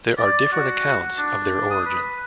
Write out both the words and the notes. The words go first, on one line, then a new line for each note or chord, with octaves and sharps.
There are different accounts of their origin.
D5
F#4
D4
D#6
B4